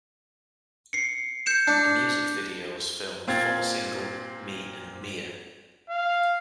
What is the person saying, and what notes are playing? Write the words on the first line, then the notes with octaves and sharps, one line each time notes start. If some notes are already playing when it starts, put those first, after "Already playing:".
A music video was filmed for the single Me and Mia.
C7 C#7
G6 C#7 E7
D4
A#2 C4 F5 G#6 A6
F5